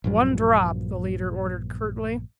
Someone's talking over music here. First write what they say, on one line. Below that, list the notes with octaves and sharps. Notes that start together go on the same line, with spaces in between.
"One drop!" the leader ordered curtly.
A#1 G2 F#3